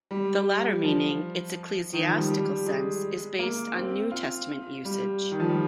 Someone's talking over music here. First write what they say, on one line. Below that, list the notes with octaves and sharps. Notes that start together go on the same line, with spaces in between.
The latter meaning, its ecclesiastical sense, is based on New Testament usage.
G3
F3
D#3
F3
G3
G3
G#3
A#3
C4
F4
G3
D#3
F3
G3